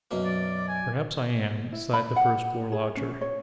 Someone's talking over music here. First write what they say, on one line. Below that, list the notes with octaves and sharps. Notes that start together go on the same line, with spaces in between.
Perhaps I am,' sighed the first-floor lodger.
F#2 B2 A#3
D5
G#5
E4
B5
F#5
G#4
C#4
C#5